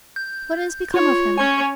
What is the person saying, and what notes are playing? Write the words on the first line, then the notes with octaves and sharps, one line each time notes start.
"What has become of him?"
G6
F4 C#5
C#4 C#5 G#5